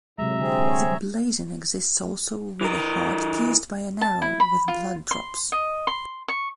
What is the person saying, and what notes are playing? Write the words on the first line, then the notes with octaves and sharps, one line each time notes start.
The blazon exists also with a heart pierced by an arrow, with blood drops.
A2 C3 F#3 G#3 E5 A#5
D3 C4 G#4
C#5
E3 A#4
A5
E4
B5
F4
C6
D#5
C6
C#6